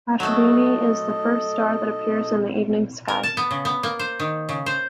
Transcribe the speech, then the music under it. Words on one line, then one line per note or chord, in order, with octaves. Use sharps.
Ashvini is the first star that appears in the evening sky.
F#3 A3 A4 D#5
A#4
A5
B3
C#3
B3
A#3
C5
D#3
C#3
C5